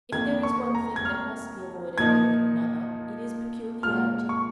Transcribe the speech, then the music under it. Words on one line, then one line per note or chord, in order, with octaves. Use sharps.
If there is one thing that must be avoided more than another, it is peculiarity.
F2 D#3 A#3 G#6
C#6
A#5
G#6
F6
A#2 F3 A#3 D#4 G#6
A#2 G#3 F4 F6
C#6